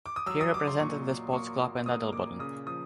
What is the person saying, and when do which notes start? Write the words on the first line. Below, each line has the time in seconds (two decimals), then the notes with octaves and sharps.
He represented the sports club in Adelboden.
0.06 D6
0.16 D#6
0.26 F#3 E6
0.41 D#6
0.53 F#3 D6
0.67 C6
0.80 A#2 C#6
1.07 F#3
1.33 A#3 C#6
1.61 A#2
1.86 A#3 D#6
2.13 A#2 D6
2.39 C#3 D#6
2.66 F3 D#6